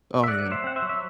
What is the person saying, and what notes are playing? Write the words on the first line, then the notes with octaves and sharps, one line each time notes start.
Oh, yeah.
E5
A3 D5 F#5
F#3
C5 E5
C4 F#5
C5 E5
F#3
E5